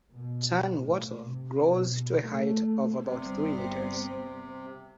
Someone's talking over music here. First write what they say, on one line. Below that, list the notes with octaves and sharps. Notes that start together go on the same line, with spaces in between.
Tan wattle grows to a height of about three metres.
B2
A2
C3
B2
A3
G1 C3 G3 B3 C4